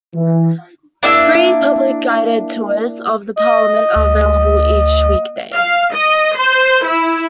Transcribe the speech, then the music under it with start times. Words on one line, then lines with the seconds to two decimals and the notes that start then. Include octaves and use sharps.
Free public guided tours of the Parliament are available each week day.
0.16 E3
1.03 A#3 D4 E4 E6
3.36 D#5
3.96 D2
5.55 F5
5.94 D#5
6.37 C5
6.85 E4